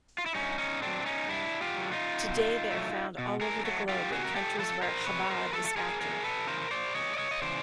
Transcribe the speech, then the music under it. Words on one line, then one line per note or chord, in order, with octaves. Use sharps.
Today they are found all over the globe in countries where Chabad is active.
F4
E4
G2 C#4 D#4
C#4 D#4
D3 F#3 C4 D4
C#4 D#4
G2 D4 E4
F4 G4
D3 F#3
D#4 F4
B2
F#3 A3
B2
G#4 A#4
F#3 A3
F4 G4
C3 F#4 G#4
A#4
G4 A4
F3 A3 A4 B4
A#4 C5
C3 B4 C#5
A#4 C5
F3 A3 A4 B4
A4
G#4 A#4
E2 G#4 A#4
A4 B4
C#3 E3 A#4 C5
C5 D5
E2 C#5 D#5
D5
C#5 D#5
D#5
C#3 E3 C5 D5